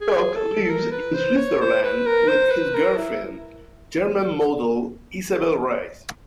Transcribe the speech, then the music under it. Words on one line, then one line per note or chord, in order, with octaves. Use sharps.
Glock lives in Switzerland with his girlfriend, German model Isabell Reis.
G#4
A4
A4
A#4
B4
C5
C#5
C5
B4
A#4
C5
B4
A#4
E4